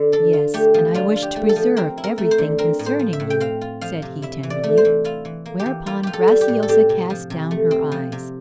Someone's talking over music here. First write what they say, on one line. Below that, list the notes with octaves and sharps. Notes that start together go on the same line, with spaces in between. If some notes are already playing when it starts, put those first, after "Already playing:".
"Yes; and I wish to preserve everything concerning you," said he tenderly; whereupon Graciosa cast down her eyes.
Already playing: D3
D4 A4
F4
A3 G4
F3
D4 F4
F4
G4
A3
A4
F3
C4 A#4
E4
A#4
A3
C5
D3
C4 A#4
A2
C5
F3
E5
A2
G5
C4 F5
F4
F3 F5
C3
E4 E5
E3
D5
A3
C5
E3
E4 F4
E3
A#3
G4
E3
A#3 F4
F4 G4
A4
G3
G4
A2
A4
C4 G4
C3
F3
C3
A3
C4
F3
C3